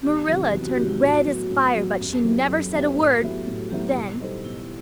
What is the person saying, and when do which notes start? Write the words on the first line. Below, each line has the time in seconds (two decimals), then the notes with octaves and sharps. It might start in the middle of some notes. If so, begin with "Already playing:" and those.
Marilla turned red as fire but she never said a word--then.
0.03 E2 G4
0.28 C3 D#3 F#3
0.52 E2 F#4
0.65 F#4
0.76 C3 D#3 F#3 G4
0.89 E4
1.01 A2 F#4
1.26 F#3 B3
1.50 A2 E4
1.75 F#3 B3
1.99 F#2 G4
2.12 A4
2.24 F#3 B3 E4 G4 A4
2.36 A4
2.48 F#2
2.73 F#3 B3 E4 G4 C5
2.88 B4
2.97 A2 A4
3.10 F#4
3.22 F#3 B3 E4 G4
3.35 A4
3.47 A2 A4
3.71 F#3 B3 E4 G4
3.95 B2 E4
4.20 G3 D#4 A4 C5
4.44 B2 E4